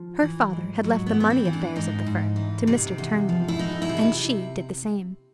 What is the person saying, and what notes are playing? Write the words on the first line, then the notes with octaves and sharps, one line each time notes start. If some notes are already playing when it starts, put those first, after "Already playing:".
Her father had left the money affairs of the firm to Mr. Turnbull, and she did the same.
Already playing: F3
E3
G#2
G#2 F#3
B3
E3
B3
C4
E3
D4
G#2 D#4
G#2
E3
C3
E2
F3
E4
E2 D#4
E4
C3
D#4